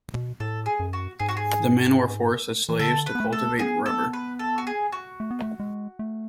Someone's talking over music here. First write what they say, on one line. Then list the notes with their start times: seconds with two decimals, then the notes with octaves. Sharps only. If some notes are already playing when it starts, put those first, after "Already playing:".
The men were forced as slaves to cultivate rubber.
0.14 B2
0.40 A2 A4
0.66 G#4
0.80 F#2
0.93 F#4
1.19 G#2 G#4
1.29 F#4
1.37 G#4
2.69 E3
2.79 D3 A4
3.06 B4
3.15 B3
3.20 A3
3.33 A4
3.59 B3 G#4
3.86 A4
4.13 B4
4.39 A4
4.58 F#4
4.67 G#4
4.92 F#4
5.20 A3
5.31 B3
5.42 A3
5.60 G#3
5.99 A3